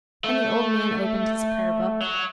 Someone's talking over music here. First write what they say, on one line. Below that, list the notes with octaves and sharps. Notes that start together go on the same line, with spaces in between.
And the old man opened his Prayer-Book.
A3
F#3